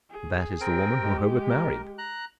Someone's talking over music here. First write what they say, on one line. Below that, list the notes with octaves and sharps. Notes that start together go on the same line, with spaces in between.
"That is the woman who Herbert married."
G#4
C4 A#4 G5
G#3 G4
A#4
A#5 F#6